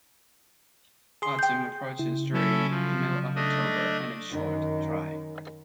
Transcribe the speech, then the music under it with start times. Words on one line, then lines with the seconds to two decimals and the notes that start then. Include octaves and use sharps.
Autumn approaches during the middle of October and is short, dry.
1.22 G#4 C6
1.39 G5 G6
1.99 C#3 E4
2.33 F#3 C#4 E4 A4
2.70 F3
3.36 A3 D4 D#5
4.30 F#2 D#3